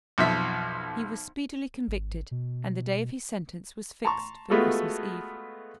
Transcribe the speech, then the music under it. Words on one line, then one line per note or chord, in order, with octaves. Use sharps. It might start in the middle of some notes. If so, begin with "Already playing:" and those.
He was speedily convicted, and the day of his sentence was fixed for Christmas Eve.
B1 F2 E5
G#1
B2
A5 A#5 C6 C#6
G#3 A3 B3 F4 F#4 A4